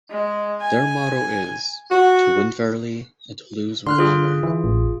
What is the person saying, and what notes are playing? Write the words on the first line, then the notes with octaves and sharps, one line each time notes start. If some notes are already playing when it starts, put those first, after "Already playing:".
Their motto is "To win fairly and to lose with honour".
G#3
G#5
F#4
D3 C6 F6 F#6
F4 G#4
E3
A1